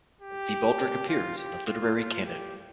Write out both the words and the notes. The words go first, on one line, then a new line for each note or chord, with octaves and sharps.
The baldric appears in the literary canon.
G4
F4
G4
F4
F4
G4